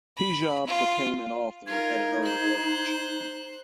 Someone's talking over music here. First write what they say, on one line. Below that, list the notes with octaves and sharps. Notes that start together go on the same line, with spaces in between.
Hijab became an author at an early age.
B5
F4
D#4 F4 A#4 G#6
C5 F#6